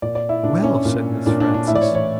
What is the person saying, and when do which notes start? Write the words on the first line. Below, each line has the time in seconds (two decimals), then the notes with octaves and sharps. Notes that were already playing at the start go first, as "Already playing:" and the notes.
"Well!" said Miss Frances.
0.02 A#2 D5
0.15 D5
0.29 E4
0.43 A#2 D4
0.64 C#4
0.85 A#2
1.26 A#2 D4
1.40 D4
1.54 D4
1.67 A2 E4
1.75 D5
1.81 C#5
1.88 E3
1.95 C#5